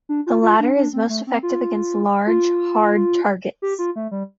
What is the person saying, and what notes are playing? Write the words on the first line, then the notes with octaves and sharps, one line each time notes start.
The latter is most effective against large, hard targets.
D4
F4
F4
D4
D4
C4
A3
C4
F4
F4
G4
F4
A3
G3